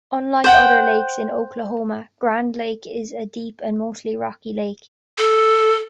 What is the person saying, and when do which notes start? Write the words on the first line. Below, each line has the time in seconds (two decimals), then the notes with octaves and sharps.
Unlike other lakes in Oklahoma, Grand Lake is a deep and mostly rocky lake.
0.44 C5 F#5 G5
5.18 A4